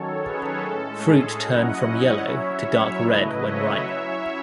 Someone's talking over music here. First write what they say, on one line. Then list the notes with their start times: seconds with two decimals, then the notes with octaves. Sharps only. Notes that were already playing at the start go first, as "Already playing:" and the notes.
Fruit turn from yellow to dark-red when ripe.
Already playing: D#3 F#3 C#4 A4 C#5
0.23 G#4 B4
0.63 A2 G#3 C#4 A4
1.03 G#4
1.43 F#3 C#4 E4 D#5 F#5
2.23 F#3 C#4 E4 C#5 E5
3.02 C#3 F#3 A3 E4 B4 D#5
3.42 C#5 E5
3.82 F#3 C#4 E4 C#5 E5